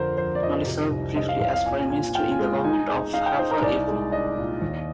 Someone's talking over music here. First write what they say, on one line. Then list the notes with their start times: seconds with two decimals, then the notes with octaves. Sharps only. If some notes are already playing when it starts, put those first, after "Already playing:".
Noli served briefly as foreign minister in the government of Xhafer Ypi.
Already playing: F2 D3 A#4 C5
0.17 F3 C5
0.35 D5
0.42 F2 D#5
0.67 C3
0.91 C2
1.16 G3 D#5
1.29 F5
1.41 C2 F5
1.53 F5
1.66 A#2 G#5
1.90 A#2 G#5
2.15 F4 G5
2.31 G#5
2.39 G#3
2.64 D#4 G#5
2.89 G#4
3.13 D#4 F5
3.26 G5
3.39 D#4 C5
3.51 A#4
3.62 C2 D5
3.88 G#3
4.12 D4 D#5
4.37 A#2
4.62 D#2